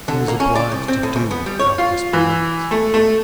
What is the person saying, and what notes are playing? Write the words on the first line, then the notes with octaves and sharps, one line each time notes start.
He was obliged to do without this balance.
D3
A#3
C#4
D5
C2
C4
A2
C#2
B3
G3
C#5
F4
E3
A3
A3